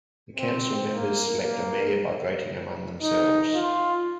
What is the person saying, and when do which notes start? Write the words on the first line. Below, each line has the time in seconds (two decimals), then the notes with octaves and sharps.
The council members select a mayor by voting among themselves.
0.37 C4
0.91 A#3
1.43 A#3
3.02 D#4
3.55 F4